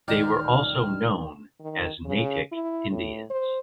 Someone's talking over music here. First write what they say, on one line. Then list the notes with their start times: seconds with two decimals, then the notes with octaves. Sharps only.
They were also known as Natick Indians.
0.08 D#1 A1 D#3 D#4 D5 G5 F6
1.60 D#3
2.05 C#3
2.52 E4
2.91 A2
3.30 C5